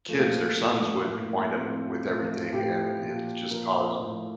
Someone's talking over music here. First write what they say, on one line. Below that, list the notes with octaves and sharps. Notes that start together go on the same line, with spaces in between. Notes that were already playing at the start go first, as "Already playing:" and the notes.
kids, their sons, would wind up with everything, and it's just caused
A#2 F3 A3
A#2 F3
A2 F3 A#3
A#3
A2 F3 C4
A2 F3
A2 F3 G4
A#2 F3
A#2 F3 A#4
A2 F3